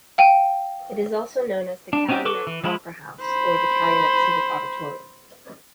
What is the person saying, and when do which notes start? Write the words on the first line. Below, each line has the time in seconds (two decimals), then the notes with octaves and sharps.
It is also known as the Calumet Opera House or the Calumet Civic Auditorium.
0.18 F5 G5 D#7
1.93 D4
2.09 C4 C#4 D#4 F#4 G4
2.25 A4 B4 C#6 D6
2.47 E3
2.64 F3 G#3 E4 F4 B5
3.22 C5 B5